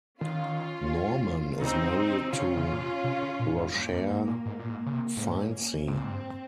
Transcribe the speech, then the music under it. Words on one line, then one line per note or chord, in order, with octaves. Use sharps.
Norman is married to Roshare Finecey.
D#3 C#4 F4
C#3 C4 D#4
C#3 C#4 F4
C#3
A#2
C3
C3
C#3
A#2
G#2
G2 A#3
F2
G2
A#2
G#2
A#2
G#2
C#3
C3
G#2 A#3 C#4
G2 C4
A#2
G#2
G2